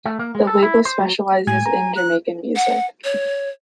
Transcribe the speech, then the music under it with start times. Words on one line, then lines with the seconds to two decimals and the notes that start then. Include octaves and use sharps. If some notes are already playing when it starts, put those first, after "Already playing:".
The label specializes in Jamaican music.
0.06 A3
0.19 A#3
0.35 G#3
0.47 A4
0.63 E4
0.85 C5
1.00 F#3
1.47 A2 G#3 G#5 G#6
1.66 A#5
1.96 F#6
2.56 F#5
3.04 C#5